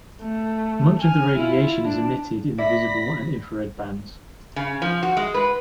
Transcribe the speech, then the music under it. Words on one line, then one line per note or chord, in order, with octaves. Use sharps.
Much of the radiation is emitted in the visible and infrared bands.
A3
G#5 F6
E4 F4
D4
D5 E5 B5 A#6 B6
C#3
F3
F#4
G#3
B4